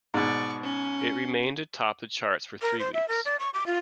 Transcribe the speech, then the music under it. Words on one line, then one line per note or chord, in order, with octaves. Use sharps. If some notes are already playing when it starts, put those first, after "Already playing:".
It remained atop the charts for three weeks.
G#2 B2 D5 C#6
C#4
A#4
C5
E5
A#4
D5
C#6
D6
F4